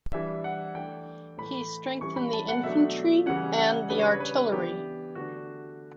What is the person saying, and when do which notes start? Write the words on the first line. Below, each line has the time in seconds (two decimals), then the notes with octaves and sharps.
He strengthened the infantry and the artillery.
0.13 E3 G3 D4 E5
0.44 F#5
0.75 E3 A3 D4 G5
1.38 A2 E3 A3 B5
2.01 E3 G3 C#4 C#6
2.16 B5
2.33 A5
2.49 F#5
2.64 B2 F#3 A3 D4 E5
3.26 C#3 E3 G3 C#4 F#5
3.58 F#5
3.89 C#3 G3 D4 B4
3.99 C#5
4.09 B4
4.20 B4
4.52 E3 B3 D4 G4
5.15 D3 A3 D4 F#4